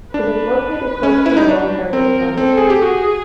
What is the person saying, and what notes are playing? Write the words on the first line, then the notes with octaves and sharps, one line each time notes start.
It is located close to the World Heritage Sunderbans.
D4 B4
C#4
E4
D#4
D4
C4 A#4
C4 A4
G#4
G4
F#4 G#4